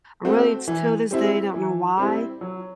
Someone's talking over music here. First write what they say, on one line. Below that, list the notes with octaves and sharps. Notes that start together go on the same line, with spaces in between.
Really, it's till this day, I don't know why,
A3 C4 F#4
E3
G3 C4 E4
E3
G3 C4 E4
F#3